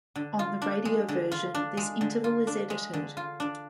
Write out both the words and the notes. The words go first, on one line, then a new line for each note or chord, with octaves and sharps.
On the radio version, this interval is edited.
D3
F4
D4
G#3
D3
F4
D4
G#3
D3
F4
D4
G#3
D3
F4
D4